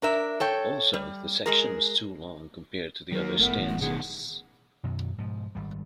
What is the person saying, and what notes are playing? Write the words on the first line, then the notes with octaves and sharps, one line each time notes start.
Also, the section was too long compared to the other stanzas.
D4 A#4 E5
A4 C#5 G5
G3
G#3 G#4 A#4
D#3 F#3 A#3 A#4
F#1 A3 B3 E4 A#4
D1 A2 E3
G#3
B2 D#3 G#4 F#5
F#2 B2 D#3 F#3
G#2 B2 F3
G#1 G3